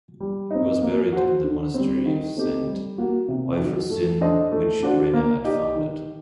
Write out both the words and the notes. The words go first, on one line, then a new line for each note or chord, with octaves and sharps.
He was buried in the Monastery of Saint Euphrosyne, which Irene had founded.
G3
C4 D#4
A#3
F#4 C5
D3
G3 C4
D#3
A3 C4 D#4 G4
G3
A#3 F#4
C3
D#3 F#3
A3
D4 A4 C5 D#5
A3
D4 F#4 C5
A#3
D#4 G4 D5
D#3